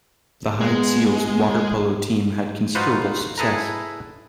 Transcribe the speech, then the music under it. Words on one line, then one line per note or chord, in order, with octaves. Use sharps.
The Hyde Seals water polo team had considerable success.
G#3 B3
D#4 F4 F#4 B4 C5
E4 G#4 A4 B4 A#5